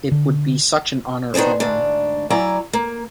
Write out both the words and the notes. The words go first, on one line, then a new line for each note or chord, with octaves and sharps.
It would be such an honor for me.
D3
D#3 B3 D4 G#4 C5
D2 G#2 D4
F#3 E4 D5 G#5 A#5
A#3